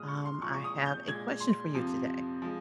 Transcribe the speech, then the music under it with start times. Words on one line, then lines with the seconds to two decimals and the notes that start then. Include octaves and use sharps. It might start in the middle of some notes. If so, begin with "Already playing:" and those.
Um, I have a question for you today.
Already playing: A#2 G#3 D#6 F6
0.09 C#6
0.25 C6
0.42 A#2 F3 G#3 C#6
0.54 C#6
0.64 D#6
0.86 G6
1.08 A#2 G#3 G#6
1.40 C6
1.74 F2 C3 F3
2.42 F3 G#3